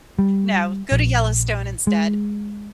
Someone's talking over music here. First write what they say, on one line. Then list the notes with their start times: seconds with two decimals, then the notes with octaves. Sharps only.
No, go to Yellowstone instead.
0.19 G3
0.92 A#1
1.87 G#3